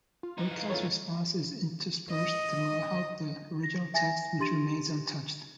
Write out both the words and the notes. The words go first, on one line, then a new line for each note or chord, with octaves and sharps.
Birkel's response is interspersed throughout the original text, which remains untouched.
F4
E3 D#4
F5
F4 A4 C#5
D#5
A#6
E5 G#5 A6 A#6
D4 G4 C6 A6 D#7